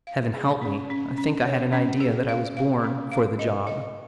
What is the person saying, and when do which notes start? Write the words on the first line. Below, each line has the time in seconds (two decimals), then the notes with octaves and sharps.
Heaven help me, I think I had an idea that I was born for the job.
0.07 F5
0.34 G#4
0.62 C#4
0.90 C#4
1.18 C#4
1.45 C#5
1.73 C#4
2.00 G#4
2.29 F5
2.57 F5
2.84 C#4
3.12 F5
3.39 D#5
3.67 D#5